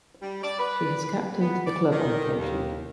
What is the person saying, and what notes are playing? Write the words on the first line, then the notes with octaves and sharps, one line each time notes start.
She has captained the club on occasion.
G3
D5
B4
B3
D5
D#3
D#2